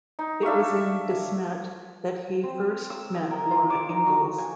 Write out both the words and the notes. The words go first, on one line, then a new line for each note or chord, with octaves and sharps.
It was in De Smet that he first met Laura Ingalls.
D#4
D4 E5 F5 C#6
C4
E6
D#5
A#4
F4
D6
D#4
F#4
G#5